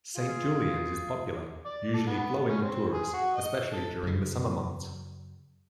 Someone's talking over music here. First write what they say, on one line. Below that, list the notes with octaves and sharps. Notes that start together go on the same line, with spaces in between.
Saint Julian's is popular, usually flowing with tourists, especially during the summer months.
F4 G#4
D5
A4
B3
C#4
C4
G#4
F#4
D#5
A4
F#2 C#3